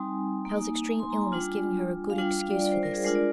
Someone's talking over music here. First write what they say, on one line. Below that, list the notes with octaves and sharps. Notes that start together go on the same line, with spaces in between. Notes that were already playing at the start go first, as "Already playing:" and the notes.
Hale's extreme illness giving her a good excuse for this.
Already playing: G3 C4 D#4 G#5
A#3 D#4
G#5
C6
A#5
G#5
G3 D4 F4
F5
G3 D4 F4 G5
G5
F5
D5
D5
C5
A#4
G#4
G#3 D4 F4 A#4
D5